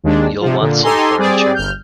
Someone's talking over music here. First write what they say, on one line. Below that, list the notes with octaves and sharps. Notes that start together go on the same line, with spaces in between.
You’ll want some furniture.
D#2 G#3 D4
C3 F3
A#2 D3
D#4 G4 A4 G#5 A#5 C6
G3 C4 G#4 D5
G1 F6 G6